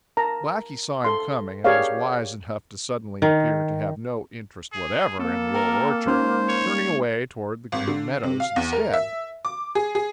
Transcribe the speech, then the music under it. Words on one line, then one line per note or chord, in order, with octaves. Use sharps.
Blacky saw him coming and was wise enough to suddenly appear to have no interest whatever in the Old Orchard, turning away toward the Green Meadows instead.
A#4 A5 A#5
A4 C6
G4 G#4 A#4 C#5 D5 F5
D#3
G#4
A#3 C4 A4
A#4 G5 A#5
G#3 C#4 D#4 C5
C#5
G#1
D3
C3
F5
E2
A#4
E5
D6
G#4
G#4